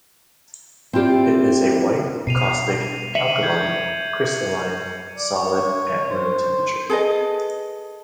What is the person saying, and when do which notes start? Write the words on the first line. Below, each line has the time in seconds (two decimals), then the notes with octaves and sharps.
It is a white, caustic, alkaline, crystalline solid at room temperature.
0.93 C4 E4 F4 G4 D5
2.27 B2 C7 D#7 F7
3.15 E5 C#7 D#7 F#7
3.43 G6 G#6
5.17 D5
5.35 C#5
6.10 C5
6.90 G#4 A4 B4 D#5